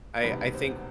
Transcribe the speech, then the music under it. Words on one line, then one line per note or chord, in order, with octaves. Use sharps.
I I think
E1 D2 C3 D#3 G3 B4
C5